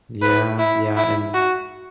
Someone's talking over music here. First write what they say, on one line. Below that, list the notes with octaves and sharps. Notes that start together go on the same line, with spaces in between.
Yeah, yeah, and
B4
E4
E4
F#4